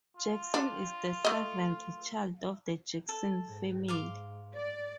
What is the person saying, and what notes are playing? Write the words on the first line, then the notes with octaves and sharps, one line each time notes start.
Jackson is the seventh child of the Jackson family.
F4
D4
A3 D#5
A4
G#2
F5 C6 D6
D5